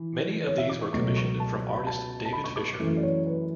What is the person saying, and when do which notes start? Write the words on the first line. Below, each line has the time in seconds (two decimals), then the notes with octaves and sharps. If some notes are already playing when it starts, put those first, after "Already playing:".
Many of these were commissioned from artist David Fisher.
Already playing: E3
0.47 C#5
0.58 E5
0.69 D6
0.81 C#6
0.93 C#2 B2 F#3 A3 C#6
1.16 C#6
1.40 A5
1.75 B5
1.87 A5
2.25 A5
2.33 B5
2.44 C#6
2.56 D6
2.68 C#6
2.80 F#2 E3 A3
2.97 D5
3.03 C#5
3.27 B4